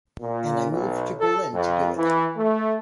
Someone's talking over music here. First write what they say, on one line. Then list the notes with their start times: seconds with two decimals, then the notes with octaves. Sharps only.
And I moved to Berlin to do it.
0.21 A#2
0.71 B1
1.20 A4
1.54 F2
1.97 E3
2.36 A3